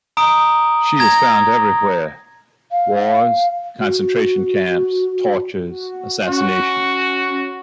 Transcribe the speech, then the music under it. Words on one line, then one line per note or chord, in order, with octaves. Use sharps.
She is found everywhere: wars, concentration camps, tortures, assassinations.
A#5 D#6 D7
A#5 G#6 A#6
F5
F#4
F#4
C#4 F#4